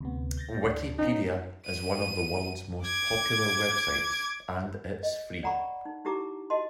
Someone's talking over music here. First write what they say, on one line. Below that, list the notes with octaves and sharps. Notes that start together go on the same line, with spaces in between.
Wikipedia is one of the world's most popular websites, and it's free!
D2 C3 B3
G6 A6 A#6
D2 D4
B3 C#4 D#4
D#7
D6 G#6
D#5
D5 F#5 A#5 B5 C#6
D#4
D#4 E4 G4 A#5 D6
F#4 D#5 A5 C6